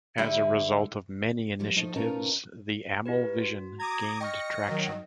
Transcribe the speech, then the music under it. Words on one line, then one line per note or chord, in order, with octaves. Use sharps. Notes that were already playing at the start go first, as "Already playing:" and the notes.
As a result of many initiatives the AmI vision gained traction.
D3 G3 E4
F3 G3 E4
F3 A3 D#4 C5
B2 A3 C#4 D#4 F4 A#4
E4 G4 B4
F#4
A#5 D6 D#6 G#6
D#5 G5 C#6 F6 A#6 C#7
D#3 F#3